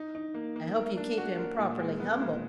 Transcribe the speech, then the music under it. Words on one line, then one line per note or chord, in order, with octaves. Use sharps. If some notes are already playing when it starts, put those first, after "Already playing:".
I hope you keep him properly humble.
Already playing: D#4
D#4
A#3
A#3
A#4
D4
F#4
A#4
A#2
G#3
B3
A#2